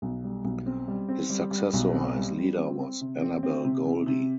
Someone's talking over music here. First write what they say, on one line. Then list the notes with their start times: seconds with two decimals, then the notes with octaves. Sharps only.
His successor as leader was Annabel Goldie.
0.02 B1
0.24 G3
0.44 B1
0.66 C4
0.88 G3
1.09 C4
1.30 G3
1.51 G3
1.73 B1
1.93 C4
2.15 G3
2.37 G3
2.58 C4
2.80 C4
3.01 C3
3.22 C4
3.43 C4
3.64 C3
3.85 C3
4.06 C3